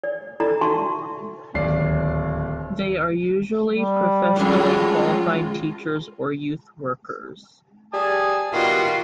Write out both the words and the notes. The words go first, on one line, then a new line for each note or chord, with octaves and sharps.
They are usually professionally qualified teachers or youth workers.
D5
E4 A4 D5 D#5 A#5 B5
D#4 F#4 E5 A5 C6 C#6
D1 D#2 D5 C7
G3
F2 A2 G#3 F4
G3 G#5 A5 D#6
D#3 G3 B3 F4 F#4